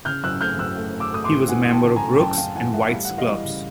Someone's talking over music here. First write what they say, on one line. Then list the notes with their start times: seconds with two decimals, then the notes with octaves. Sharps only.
He was a member of Brooks's and White's clubs.
0.05 C#3 F6 G6
0.24 F#2 E6 F#6
0.40 A3 F6 G6
0.59 F#2 E6 F#6
0.77 A3
0.95 A3
1.00 D6 E6
1.13 A3 D#6
1.24 C6 D6
1.31 E3
1.48 E3 F#5 G#5
1.66 A3
1.72 G5 A5
1.84 C#3
1.96 G#5 A#5
2.03 A3
2.19 F#2 G5 A5
2.38 F#2 F5 G5
2.55 E3 F#5 G#5
2.74 A3 E5 F#5
2.91 G3 F5
3.05 F#5
3.10 E3
3.18 D#5 F5
3.27 G3
3.45 C#3